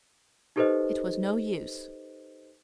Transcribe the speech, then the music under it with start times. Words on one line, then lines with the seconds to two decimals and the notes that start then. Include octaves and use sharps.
It was no use.
0.56 D#4 G4 A4 B4 C5 D#5